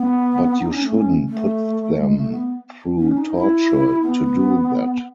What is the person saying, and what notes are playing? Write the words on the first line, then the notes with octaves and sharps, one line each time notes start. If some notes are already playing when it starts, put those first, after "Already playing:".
But you shouldn't put them through torture to do that.
Already playing: B3
D#4
C#4
A3
C#4
A3
G#3
A3
B3
C#4
D#4
E4
B3